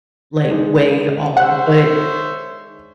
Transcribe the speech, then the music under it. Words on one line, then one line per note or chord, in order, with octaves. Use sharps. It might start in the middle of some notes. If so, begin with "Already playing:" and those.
like, way all. But,
G#3 D4 D#4
C5 C#5 E5 F#5